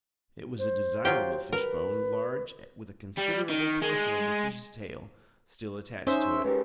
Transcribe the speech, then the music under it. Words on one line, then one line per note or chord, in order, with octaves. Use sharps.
It was a desirable fishbone, large, with a considerable portion of the fish's tail still attached to it.
C5
F#3 F4 G4
A#4 B4
G3
D#3
G#3
C#4 D#4 C5 E5
G#3 G4 A#4 B4